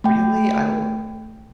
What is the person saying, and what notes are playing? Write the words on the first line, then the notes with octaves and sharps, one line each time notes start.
Really? I w
A3 G5